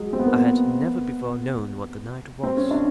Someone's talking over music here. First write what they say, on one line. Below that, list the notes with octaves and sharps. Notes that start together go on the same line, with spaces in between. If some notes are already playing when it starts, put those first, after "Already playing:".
I had never before known what the night was.
Already playing: F#3 G#3
C4
B3
A#3
B3
C4
C#4
D4